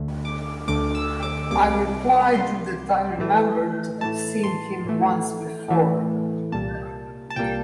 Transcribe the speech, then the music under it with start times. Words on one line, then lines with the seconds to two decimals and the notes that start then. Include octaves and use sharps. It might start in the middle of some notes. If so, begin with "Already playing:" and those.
I replied that I remembered to have seen him once before.
Already playing: D2 D3 A3
0.25 D6
0.68 D2 D3 A3 D6
0.95 E6
1.23 D6
1.51 C2 C3 G3 A#3 D6
2.34 C2 C3 G3 A#3 C6
3.18 A2 E3 A3
4.01 A2 E3 A3 A5
4.43 C6
4.85 A2 E3 A3
5.68 A2 E3 A3
6.52 C2 A#2 G3 A#3 A5
7.30 A5
7.36 C2 A#2 G3 A#3 G5